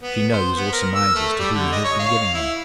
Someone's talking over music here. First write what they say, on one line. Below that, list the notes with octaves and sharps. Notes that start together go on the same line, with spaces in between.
She knows, or surmises, to whom he has been giving them.
B3
C5
B3
A#4
E6
A3
G3
D3
D#5
C#5
F5
E4